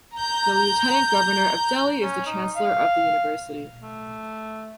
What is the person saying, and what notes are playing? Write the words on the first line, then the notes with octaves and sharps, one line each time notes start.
The Lieutenant Governor of Delhi is the Chancellor of the university.
A#5 G6
C#4
D#4
F5
A3